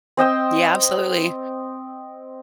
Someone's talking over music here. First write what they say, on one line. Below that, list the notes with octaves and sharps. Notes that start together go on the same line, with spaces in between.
Yeah, absolutely,
C4 D#5 G5 E6